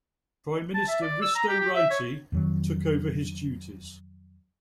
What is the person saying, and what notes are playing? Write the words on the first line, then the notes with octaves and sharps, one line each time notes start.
Prime Minister Risto Ryti took over his duties.
A5
E5
D5
E6
A#5
G4
G4
E5
C#5
F2 D#3 F#3